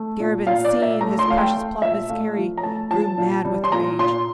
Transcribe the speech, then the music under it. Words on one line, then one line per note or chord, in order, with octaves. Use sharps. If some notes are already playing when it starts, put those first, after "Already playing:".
Garabin, seeing his precious plot miscarry, grew mad with rage.
Already playing: A3
A#2
A#2 F5
D5
A#2
E5
A3 A#5
C6
A3 F5
G5
A3
A#2 E5
A3 F5
F3
A#5
A3 A5
F3 A5
A#2
G3
C6
A#2 A#5
A#2 C6